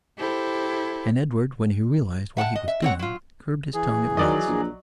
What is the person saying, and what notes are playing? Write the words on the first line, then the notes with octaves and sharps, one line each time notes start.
And Edward, when he realized what he was doing, curbed his tongue at once.
E4 G4 A4 C5
E5 F#5 G5 A5
D#5
E5
C4 C#5 F#5
F#3 F4
E3 G#4
D#3 F#3 D5 D#5
A#1